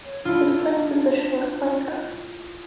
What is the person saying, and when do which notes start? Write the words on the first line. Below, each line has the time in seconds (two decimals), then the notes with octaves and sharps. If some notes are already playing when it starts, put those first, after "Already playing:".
His playing position was flanker.
0.05 C#5
0.25 D4 E4 F4